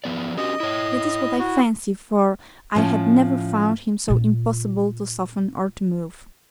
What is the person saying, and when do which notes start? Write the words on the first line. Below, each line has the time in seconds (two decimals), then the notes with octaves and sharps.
That is what I fancy, for I had never found him so impossible to soften or to move.
0.04 F3 B3 D5
0.37 C#4 F#4 G4 D#5
0.60 E4 C#5
1.39 F#4
2.75 A2 F3 C#4
4.08 A#2 F4